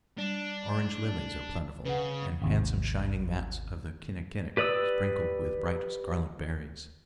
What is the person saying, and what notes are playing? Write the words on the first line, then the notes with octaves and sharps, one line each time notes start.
Orange lilies are plentiful, and handsome shining mats of the kinnikinic, sprinkled with bright scarlet berries.
G3 D4
C#3 B4 F#5
G#1 D#2 C3
G4 B4 D5 D#6 E6